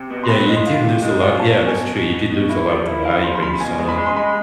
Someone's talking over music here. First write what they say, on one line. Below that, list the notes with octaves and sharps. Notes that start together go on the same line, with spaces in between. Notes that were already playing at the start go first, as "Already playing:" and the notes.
Yeah, you did lose a lot Yeah, that's true, you did lose a lot of the value when you sell it.
Already playing: C3
B3
C6
C4 B5
G#3
C6
F4
C3
G#3
F4
G#5
B2 A5
B2
G#5
B2
B2
B2
B2
E4
F3
E4
E4 F5
F3 C6
C6
F3 B5
B2 G#5
G#3
B5
G#4
C6
G#3 B5